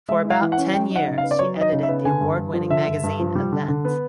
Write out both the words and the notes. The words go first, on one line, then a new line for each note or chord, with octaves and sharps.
For about ten years she edited the award-winning magazine "Event".
G#3 E5
E4
F5
E3
F#5
C#4
F#3 G5
D#4
F#5
C#3
F5
B3
D5
F#3 C#5
D#4
D#5
C#3
E5
B3
D3 G#5
G2
G2
F3
D3 E5
G2
G2
F3
G3
D3
D3
B3